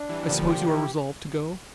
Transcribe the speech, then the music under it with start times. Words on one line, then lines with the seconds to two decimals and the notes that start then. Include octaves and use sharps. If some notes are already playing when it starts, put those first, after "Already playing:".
I suppose you are resolved to go?
Already playing: D4
0.09 E3 G3
0.28 A#2 D3 F3
0.48 G4
0.67 E3 E4